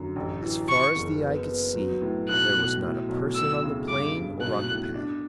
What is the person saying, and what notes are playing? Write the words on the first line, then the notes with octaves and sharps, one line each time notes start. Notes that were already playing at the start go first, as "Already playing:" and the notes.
As far as the eye could see there was not a person on the plain or on the path.
Already playing: F#2 D3
A1
E3
E3 C#6
F#1
B3
B3
F#3
A2
B1 F#6
B2
A2
B1
D2 E6
C#3
G2 D6
G2
B1 F#6
A2
D4